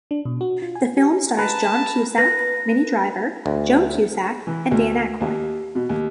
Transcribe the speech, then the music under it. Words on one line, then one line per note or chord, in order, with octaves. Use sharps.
The film stars John Cusack, Minnie Driver, Joan Cusack, and Dan Aykroyd.
D4
B2
F#4
F4
G#5
G4
B4 A5 A#5
B4 A#6
D2
E3
D2
D#2
B2
D#2